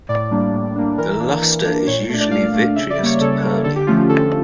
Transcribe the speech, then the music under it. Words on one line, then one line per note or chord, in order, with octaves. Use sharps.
The luster is usually vitreous to pearly.
A2 D5
G3 A#3 D4
A2
G3 A#3 D4
E3 A#4
A#3 D4
E3
A#3 D4
A#2 C#5
A3 D4
D5
A#2 F5
A3 D4
C#3 E5
D5
G3
A#3 C#5
C#3 A4
G3 A#3
D3 A4
G4
F3 A3 C#4 F4
D3 A4